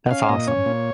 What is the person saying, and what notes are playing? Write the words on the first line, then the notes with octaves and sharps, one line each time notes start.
That's awesome.
C#4 F5
A#2 D#5
C#4 C#5
A#2